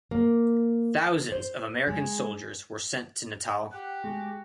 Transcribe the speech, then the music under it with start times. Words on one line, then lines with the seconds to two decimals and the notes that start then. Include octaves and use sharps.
Thousands of American soldiers were sent to Natal.
0.11 A#3
1.32 C5
1.87 G#3
3.72 G4 F#5
4.04 G#3 F#4